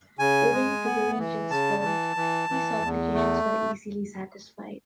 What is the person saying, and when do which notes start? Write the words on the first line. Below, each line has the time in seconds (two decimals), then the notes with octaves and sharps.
Owing to the regions' wealth, these obligations were easily satisfied.
0.19 C#3 G#5
0.52 G#3
0.85 B3
1.18 E3
1.50 C#3 A5
1.83 E3
2.16 E3
2.49 E3
2.82 E2
3.14 A3